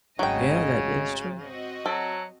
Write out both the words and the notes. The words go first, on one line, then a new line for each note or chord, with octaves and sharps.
Yeah, that is true.
G#1 D2 C#3 F#3 D#5 G5
C4 F#4 D#5
F#3 A4